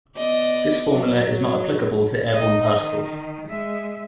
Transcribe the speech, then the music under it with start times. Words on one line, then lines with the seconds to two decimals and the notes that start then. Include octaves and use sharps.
This formula is not applicable to airborne particles.
0.16 B3 D5 D#5
0.92 F#3
2.33 D#4 D#5
2.78 D#3
3.48 G#3 E5